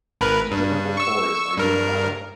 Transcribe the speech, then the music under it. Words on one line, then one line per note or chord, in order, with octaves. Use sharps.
The genital pores are unilateral.
G#1 A#4 B4
G2
C#6 E6
G2 A#4